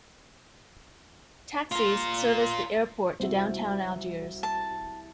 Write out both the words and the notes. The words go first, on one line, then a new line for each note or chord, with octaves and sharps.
Taxis service the airport to downtown Algiers.
F4 A#4
C2 G3 F#4 C5 E5
A5